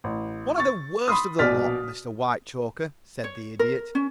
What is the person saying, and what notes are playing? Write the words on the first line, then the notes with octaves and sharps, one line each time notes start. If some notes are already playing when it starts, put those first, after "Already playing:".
"One of the worst of the lot, Mr. Whitechoker," said the Idiot.
A1
C#6 A6
B5 C6 D#6
A#1 B2 D5 F6 A6 B6
C#5
A#4
C#4